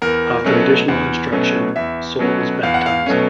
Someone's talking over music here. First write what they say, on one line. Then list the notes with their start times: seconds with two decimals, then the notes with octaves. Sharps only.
After additional instruction, Saul was baptized.
0.02 E2 A#4
0.44 B2 F#3 A3 C#4
0.88 E2
1.32 B2 F#3 A3 C#4
1.76 E2 E5
2.19 B2 F#3 A3 C#4
2.63 E2 F5
2.74 F#5
2.86 F5
3.06 B2 F#3 A3 C#4